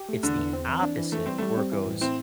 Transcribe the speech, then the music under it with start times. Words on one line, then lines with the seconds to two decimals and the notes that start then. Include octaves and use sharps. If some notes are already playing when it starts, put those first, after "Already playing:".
it's the opposite where it goes,
Already playing: G4
0.09 A3
0.23 E2 D3
0.38 E2
0.53 C4
0.68 E3
0.82 D4
0.98 E3
1.12 E3 A3
1.26 G3 C4
1.38 G3 A3
1.57 C4
1.72 E3
1.86 A2
2.01 C4 E4